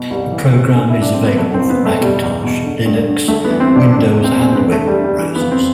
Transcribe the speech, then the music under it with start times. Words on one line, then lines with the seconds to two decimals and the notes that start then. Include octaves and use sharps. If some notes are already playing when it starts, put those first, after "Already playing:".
The program is available for Macintosh, Linux, Windows, and web browsers.
Already playing: B2
0.10 C2 G3
0.32 E3
0.53 C3
0.74 D3
0.90 E4
0.95 G2
1.01 D4
1.14 D3 C4
1.25 B3
1.38 B2 A3
1.54 C4
1.59 C2
1.70 B3
1.80 B2
1.85 A3
2.01 B2 G3
2.22 E2
2.44 B2
2.65 D3
2.86 G2
3.08 D3
3.28 D2 A3
3.44 B3
3.50 E3
3.60 C4
3.71 C3 D4
3.92 B2 D4
4.13 E2
4.24 C4
4.34 B2
4.40 C4
4.52 C4
4.55 D3 B3
4.72 A3
4.76 E2
4.87 G3
4.98 D3
5.04 G3
5.19 E3
5.35 B3
5.41 F2
5.51 C4